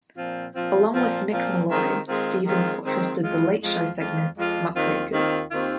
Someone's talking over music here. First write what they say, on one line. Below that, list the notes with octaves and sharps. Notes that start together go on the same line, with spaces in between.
Along with Mick Molloy, Stephens hosted the "Late Show" segment "Muckrakers".
A#2 F3 C4 F4
A#2 F3 C4 F4
A#2 F3 C4 F4
A#2 F3 C4 F4
D#3 G#3 C4 F4
D#3 G#3 C4 F4
D#3 G#3 C4 F4
D#3 G#3 C4 F4
F2 F3 G#3 F4
F2 F3 G#3 F4
F2 F3 G#3 F4
F2 F3 G#3 F4
D#2 D#3 C4 F4
D#2 D#3 C4 F4
D#2 D#3 C4 F4